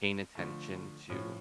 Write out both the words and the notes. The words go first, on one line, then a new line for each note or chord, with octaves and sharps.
paying attention to
D3 F3 A3
A2 F3 C#4